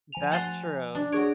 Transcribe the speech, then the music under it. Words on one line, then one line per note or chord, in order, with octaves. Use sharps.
That's true.
F3 G#5 F7
F#5 A5 C6
D4
F#4 G#4 C#5 D7